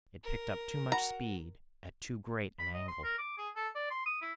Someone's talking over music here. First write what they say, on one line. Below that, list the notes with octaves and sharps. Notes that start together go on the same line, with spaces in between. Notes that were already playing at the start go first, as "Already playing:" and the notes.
It picked up too much speed at too great an angle.
A#4
F#4 A#5
B5
D#5
C6
A#4
D6
G#4
A4
D5
C6
D#6
E4